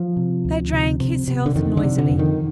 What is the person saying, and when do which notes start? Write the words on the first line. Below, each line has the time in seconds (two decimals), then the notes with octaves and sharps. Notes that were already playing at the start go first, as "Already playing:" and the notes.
They drank his health noisily.
Already playing: F3
0.17 C3
0.45 D2
0.73 C3
1.00 C3
1.28 C3
1.46 D3
1.55 F2 D#3
1.77 D3
1.84 C3
1.98 D3
2.11 F2
2.19 D#3